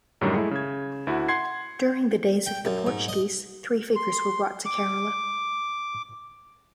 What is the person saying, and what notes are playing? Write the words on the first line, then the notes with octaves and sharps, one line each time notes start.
During the days of the Portuguese, three figures were brought to Kerala.
F#2 A2 D3 D#3 F#3 G3
G#3 A3 E4
C#3 G#6
D2 E4 F#4
F#5 C6 G#6 C7
G5
F#2
G#2
D#5
C6
D6